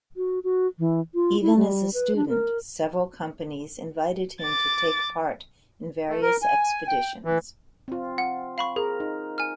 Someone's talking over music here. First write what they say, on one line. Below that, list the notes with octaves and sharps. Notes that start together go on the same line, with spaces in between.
Even as a student, several companies invited him to take part in various expeditions.
F#4
F#4
E3
F4
E4
G3
B4
D4
A#4
D6 A6
A3
A#4
G#5
G5
E3
C4 F4
F#5
F5 B5 C#6
G#4 A#4
D#4
G#5 F6